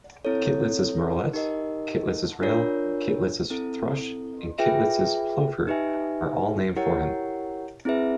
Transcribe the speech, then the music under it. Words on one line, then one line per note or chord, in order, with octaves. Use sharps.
Kittlitz's murrelet, Kittlitz's rail, Kittlitz's thrush and Kittlitz's plover are all named for him.
C4 E4 A4 C#5
D#4 G4 A#4 D#5
D4 F4 A#4 C#5
C4 E4 A4
F4 G#4 B4 E5 G5
D#4 G4 B4 E5 G#5
E4 G4 A#4 C#5 F#5
C4 E4 G#4 B4 E5